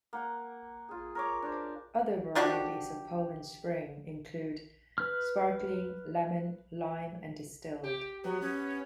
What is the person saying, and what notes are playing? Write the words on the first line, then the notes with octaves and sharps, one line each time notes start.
Other varieties of Poland Spring include sparkling, lemon, lime, and distilled.
A#3 F#5
F4 G#4
A#4 C#5 D6
D4 C5
F3 D4 F#4 G4
B4 F6
G4
F#3 B3
C#4